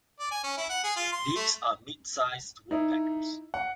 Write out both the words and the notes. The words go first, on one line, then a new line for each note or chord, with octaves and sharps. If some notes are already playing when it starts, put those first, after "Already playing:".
These are mid-sized woodpeckers.
D5
G#5
C#4
E4
F#5
G#4
F4
C6
A3
D#4 E4
F#5